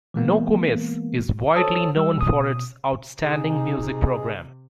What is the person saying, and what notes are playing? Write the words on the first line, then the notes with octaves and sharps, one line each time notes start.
Nokomis is widely known for its outstanding music program.
E3 G#3 A#3 B3
A4 C5 C#5 A5 D#6 E6
G3 E6
B2 D#6
C3 D#4 G#4